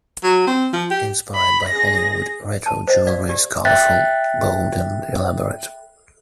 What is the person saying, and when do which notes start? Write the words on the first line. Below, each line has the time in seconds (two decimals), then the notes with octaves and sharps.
Inspired by Hollywood, Retro jewelry is colorful, bold and elaborate.
0.23 F#3
0.47 C4
0.73 F3
0.91 G4
1.35 B5
1.69 G#4 A#6
2.66 A5
2.88 C5 D#5 F#5
3.07 D5 F5
3.29 G4 D5
3.65 E5 G5 F#6 A6 B6